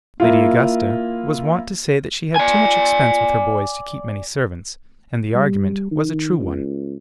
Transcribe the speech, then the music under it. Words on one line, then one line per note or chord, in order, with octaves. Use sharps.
Lady Augusta was wont to say that she had too much expense with her boys to keep many servants; and the argument was a true one.
A#3 E4 F4
D5 G#5
G3
D#3
C#2